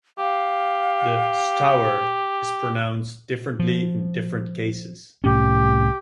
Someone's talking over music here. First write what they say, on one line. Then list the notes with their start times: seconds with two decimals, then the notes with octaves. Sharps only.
The "Stour" is pronounced differently in different cases.
0.18 G4 F5
3.60 F3
5.24 C2 A2 C#4 G4